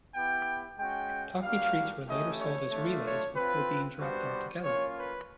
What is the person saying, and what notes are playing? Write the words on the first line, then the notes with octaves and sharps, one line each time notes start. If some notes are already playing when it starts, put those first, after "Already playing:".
Toffee Treets were later sold as Relays, before being dropped altogether.
B3 E4 G4 G5
G#3 C#4 F#4 G5
G3 A#3 D4 F#4 F5
A3 C#4 E4 G4 D#5
C#5
A3 D4 F4
C#5
C4 F4 B4
G3 B3 D4 F#4 C5
A#3 C#4 F4 C#5
B4